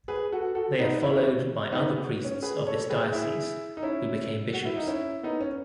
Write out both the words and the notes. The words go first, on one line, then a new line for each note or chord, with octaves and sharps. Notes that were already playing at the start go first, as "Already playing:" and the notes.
They are followed by other priests of this diocese who became bishops.
G#4 B4
F#4 A4
F#4 A4
B3 D#4
C#4 E4
C#4
B3 D#4
B3
C#4
G#4 B4
A4 C#5
G#4 B4
E4 G#4
D#4
C#4 E4
F#4
E4
D#4
C#4 E4
B3 D#4
C#4